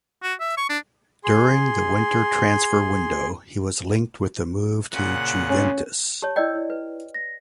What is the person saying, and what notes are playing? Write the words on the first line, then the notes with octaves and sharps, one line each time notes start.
During the winter transfer window, he was linked with a move to Juventus.
F#4
E5
C#6
D4
G#4 C6
A#2 C#3 F#5
C#4
G4 C#5 A5
E4 D5 D#5 G5 E6 G6
E4
B4
A#6